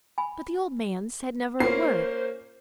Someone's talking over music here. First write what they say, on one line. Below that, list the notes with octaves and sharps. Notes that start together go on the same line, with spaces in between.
But the old man said never a word.
G#5 B5
A#3 C#4 F4 C5 C7